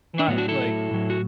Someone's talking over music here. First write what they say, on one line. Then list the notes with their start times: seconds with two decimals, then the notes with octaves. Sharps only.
not, like
0.19 D4
0.27 A2 F#3 B3
0.38 D4 F#4
0.48 E4 A4
0.91 A2 F#3
1.10 F#4